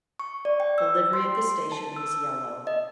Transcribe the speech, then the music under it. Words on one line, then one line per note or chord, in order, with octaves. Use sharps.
The livery of the station is yellow.
C#6
D5
G5
E6
C6
A5
E6
D#5